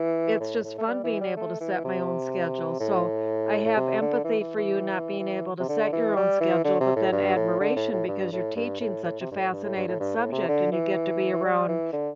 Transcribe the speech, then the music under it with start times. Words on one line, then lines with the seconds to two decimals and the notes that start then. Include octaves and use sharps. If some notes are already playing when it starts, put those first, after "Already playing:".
it's just fun being able to set my own schedule so, I have empathy for you not being able to set your own schedule, but then admiration because you're teaching such a fascinated subject, and you get to be around
Already playing: E3
0.40 A2
0.64 A2
0.78 A3
0.88 G3
1.04 E3
1.21 G3
1.36 A3
1.61 E3
1.84 C3
2.80 A2
3.65 A2
3.76 C3
4.01 D3
4.24 E3
4.40 E3
4.56 E3
5.20 E3
5.60 C3
5.68 D3
5.92 E3
6.16 G3
6.40 E3
6.64 D3
6.81 C3
6.96 A2
7.12 G2
7.36 A2
7.60 D3
7.76 A2
7.92 A2
8.08 G2
8.32 A2
8.56 G2
8.80 A2
9.04 A2
9.20 C3
9.31 G2
9.36 A2
9.52 G2
9.64 A2
9.76 G2
9.88 A2
10.00 G2
10.16 A2
10.32 C3
10.48 D3
10.72 E3
11.33 E3
11.44 G3
11.68 E3
11.93 D3